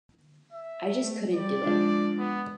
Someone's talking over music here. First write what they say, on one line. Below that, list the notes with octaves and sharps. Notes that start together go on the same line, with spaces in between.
I just couldn't do it.
E5
A3
G3 G4 D5
F3 G#3 D4
B3